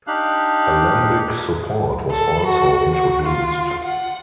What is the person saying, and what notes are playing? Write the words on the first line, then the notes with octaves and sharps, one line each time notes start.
Alembic support was also introduced.
D4 D#4 G4 F5 F#6
A4
F#4
F#4
F4
F#5